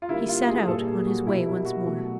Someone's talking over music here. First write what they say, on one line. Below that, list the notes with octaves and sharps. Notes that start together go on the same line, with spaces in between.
He set out on his way once more.
F4
D3 G3 A#3 E4
F4
G#4
A#2 G3 A#3 A4
G#4
F#4
B2 G3 A#3 E4
E4
F#4
B2 F#3 A3